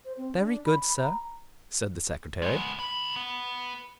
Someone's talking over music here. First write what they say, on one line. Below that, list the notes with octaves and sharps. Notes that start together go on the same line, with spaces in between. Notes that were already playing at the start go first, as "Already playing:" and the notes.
"Very good, sir," said the secretary.
C5
C4
D4
B5
A#5
G#3 B3
C#2 B5
B3